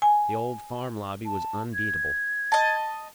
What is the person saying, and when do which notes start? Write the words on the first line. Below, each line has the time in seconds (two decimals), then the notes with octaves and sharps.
The old Farm Lobby was unbeatable.
0.02 G#5
1.25 A5
1.73 G#6
2.52 D#5 A5